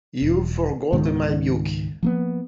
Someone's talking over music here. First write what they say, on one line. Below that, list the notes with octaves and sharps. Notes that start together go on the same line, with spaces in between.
You've forgotten my milk.
E1
C#2 G#2 D#3 B3
F3 A#3 B3